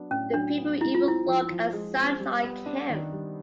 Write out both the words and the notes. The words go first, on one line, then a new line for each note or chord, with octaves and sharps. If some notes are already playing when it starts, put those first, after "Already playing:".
The people even look and sound like him.
Already playing: F#3 B3 D4
A2 C#4
F#3 D4
B3
G#3 E4
F4
C4 E4
F3
F3
G#3
C4
G3
B3
D4
D#3
G3